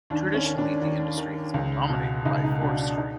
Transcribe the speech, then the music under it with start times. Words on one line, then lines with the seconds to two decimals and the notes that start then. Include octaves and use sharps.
Traditionally the industry has been dominated by forestry.
0.10 D#2 D4
0.34 C#4
0.45 D#3
0.58 D4
0.82 D#2
1.17 D#3
1.54 C#2
1.89 B2
2.25 C#2 D#4
2.44 D#4
2.61 B2 D4
2.79 D4
2.97 D#4